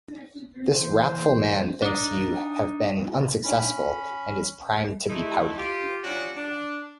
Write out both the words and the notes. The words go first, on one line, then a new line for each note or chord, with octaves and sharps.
This wrathful man thinks you have been unsuccessful, and is primed to be pouty.
E3 C5
D4 D#4
C#4 B5
F3 A3 D#4 E4
F4 G4
G3 C#4 D4 F4 F#4
D4